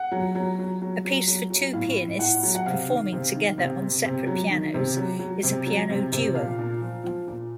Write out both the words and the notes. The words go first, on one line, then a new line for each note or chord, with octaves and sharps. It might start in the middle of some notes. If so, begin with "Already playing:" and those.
A piece for two pianists performing together on separate pianos is a "piano duo".
Already playing: F#5
F#3
F#3
F#3
F#3
F#3
F#3
F#3
A2 F5
A2
A2 F#5
F#3
F#5
C3 F5
D#3
C3
D#3
C3
C3
C3
F#3
D#3
C3
F#3
F#3
C3
F#3
C3
C3
A#2 F5
A#2
F3
F3
A#2